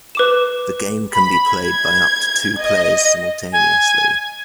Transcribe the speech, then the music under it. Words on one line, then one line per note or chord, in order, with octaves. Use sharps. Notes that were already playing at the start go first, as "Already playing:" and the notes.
The game can be played by up to two players simultaneously.
B4 D6 E7
B5
G#6
D#5
G#5